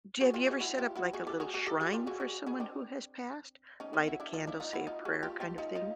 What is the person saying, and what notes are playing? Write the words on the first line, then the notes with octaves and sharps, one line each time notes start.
Do you have you ever set up like a little shrine for someone who has passed, light a candle, say a prayer kind of thing?
F#4 G#4
F4 G4
F#4 G#4
E4 F#4
F4 G4
E4 F#4
F#4 G#4
G4 A4
F#4 G#4
F#4 G#4
G4 A4
F#4 G#4
F4 G4
F#4 G#4
F#4 G#4
F#4 G#4
C4 D4
C#4 D#4
B3 C#4
E4 F#4
D4 E4
D#4 F4
D4 E4
D#4 F4
E4 F#4
D#4 F4
F#4 G#4
F4 G4
F4 G4
D#4 F4
D#4 F4